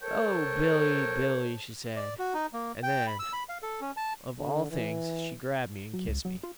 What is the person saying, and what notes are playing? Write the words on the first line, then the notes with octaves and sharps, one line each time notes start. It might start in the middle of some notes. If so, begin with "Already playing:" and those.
"Oh, Billy, Billy!" she said, and then, of all things, she grabbed me and kissed me.
A4 A#4 C5 C#5 G5 A5
D5
F#4
D#4
A#3
G5
B5
E6
B5
F5
A4
C#4
A5
D3
E3
F#3
C#2
F#3
F4